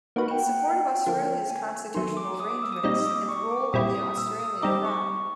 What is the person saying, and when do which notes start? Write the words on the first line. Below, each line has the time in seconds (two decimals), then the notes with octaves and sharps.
In support of Australia's constitutional arrangements and the role of the Australian Crown.
0.16 A#3 D#4 F#4 B4 F#5
0.31 G5
0.39 F#5
0.61 G5
1.06 D3 F3 A#3
1.50 G#5
1.94 D#3 F#3 A3 C6
2.17 D6
2.40 D#6
2.51 D6
2.62 E6
2.72 D#6
2.83 A#2 G3 C4 D#4 D#6
3.06 D6
3.29 C#6
3.51 D6
3.73 A#2 G3 C4 E4 D#6
3.95 D#6
4.18 E6
4.40 D#6
4.62 G3 C4 D#4 D6
4.85 C#6